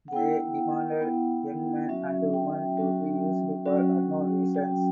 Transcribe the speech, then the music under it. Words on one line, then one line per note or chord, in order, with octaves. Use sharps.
They demanded young men and women to be used for unknown reasons.
F#5
B3 E4 G5
B3 E4
F#3 C#4 F#4 E5
G5
F#3 C#4 F#4
F#3 C#4 F#4
F#3 C#4 F#4 G5